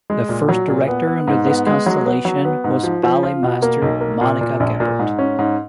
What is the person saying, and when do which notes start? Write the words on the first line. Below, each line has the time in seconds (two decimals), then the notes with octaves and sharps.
The first director under this constellation was ballet master Monika Geppert.
0.10 G#3
0.29 A#2
0.49 F#3
0.68 A#2
0.88 B3
1.07 B3
1.27 G#2
1.47 B3
1.67 G#3
1.86 F#3
2.05 B3
2.25 F#3
2.45 B3
2.64 G#2
2.83 F3
3.03 F3
3.23 F4
3.43 B2
3.62 A#3
3.82 B1
4.01 A#3
4.21 A#2
4.41 A#2
4.60 A#1
4.80 A#2
4.99 G#2
5.19 C#4
5.39 G#2